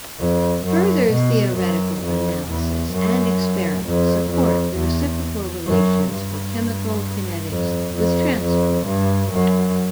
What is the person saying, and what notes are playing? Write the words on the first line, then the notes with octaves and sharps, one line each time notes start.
Further theoretical analysis and experiments support the reciprocal relations for chemical kinetics with transport.
F2
F#2
B2
F#2
F2
E2
F#2
F2
F2
E2
F#2
G2
F2
F2
F2
G2
F#2